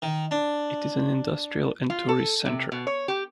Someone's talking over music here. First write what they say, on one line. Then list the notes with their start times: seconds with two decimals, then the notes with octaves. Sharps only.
It is an industrial and tourist centre.
0.02 D#3
0.31 D4
1.90 F4
2.09 A4
2.45 C3
2.72 B2
2.87 C#5
3.08 G4